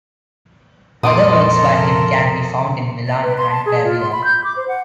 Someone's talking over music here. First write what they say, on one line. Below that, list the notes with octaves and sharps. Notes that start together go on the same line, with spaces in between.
Other works by him can be found in Milan and Pavia.
F2 A#2 A4 A#4 C6 D6 D#6
B4
C6
A5
G#4
F4
C6
B5
G6
D6
C5
F#5